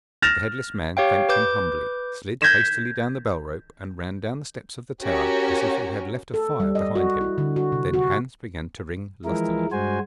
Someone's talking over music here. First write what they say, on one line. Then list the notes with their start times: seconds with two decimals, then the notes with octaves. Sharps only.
The headless man thanked him humbly, slid hastily down the bell rope, and ran down the steps of the tower as if he had left a fire behind him. Then Hans began to ring lustily.
0.22 F6 A6 A#6 E7 F7
0.97 G4 C#5 F5 G5
1.29 B4 D6 G6
2.42 G6 G#6 A#6 B6 E7
5.02 C#4 F#4 G4 A#4 C#5
6.34 A4
6.60 G3
6.75 D#5
6.96 F#4
7.21 E4
7.38 D3
7.56 F#4
7.72 C3
7.94 F#4
9.25 E3 F3 G#3 E4 A#4
9.72 G2 G#3 F#4 C5 G#5